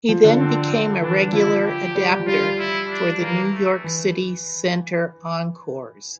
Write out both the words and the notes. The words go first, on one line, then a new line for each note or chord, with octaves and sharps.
He then became a regular adapter for the New York City Center Encores!
F3
D3
C4
E3 D4
F3 E4
G4
G3
F3
G3 F4
E4
D4
E3 A#3
A3
E3